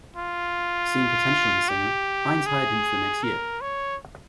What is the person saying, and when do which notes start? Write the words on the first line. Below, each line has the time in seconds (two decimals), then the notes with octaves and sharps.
Seeing potential in the singer, Hines hired him for the next year.
0.16 F4
1.69 G4
2.46 G#4
3.23 A#4
3.61 C#5